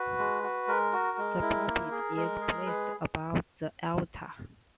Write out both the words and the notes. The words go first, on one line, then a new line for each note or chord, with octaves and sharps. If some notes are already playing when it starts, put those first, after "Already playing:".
The pulpit is placed above the altar.
Already playing: F#4 B4
G#3
F#4
G#3 A#4
F#4
G#3
E4
A#3
G#4
G#3 A#4
G#4
G#3 B4